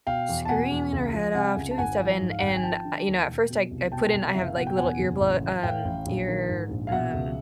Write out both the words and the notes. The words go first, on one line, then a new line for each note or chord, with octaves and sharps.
screaming her head off, doing stuff, and and, you know, at first, I I put in I have, like, little ear bl um, ear, um,
B2 F5 G5
E2
A5
B2 F#5 G#5
E2
C#2
F3
C3 F#5 G#5
C#2
A5
G#1 F#5 G#5
F3
G#2
F5
G#1 F#5
G5
G#5
F3 G5 A5
D3
D#2
E1
B2
C2
B2 G5 A5
C2
F#1 E5
F5
B2 F#5
G5
E2 F#5 G#5
F#1
A1
E3
A2 F5 G5
A1
A#1
D#3
G#2
A#1
F5
B2 E5 F#5
C#2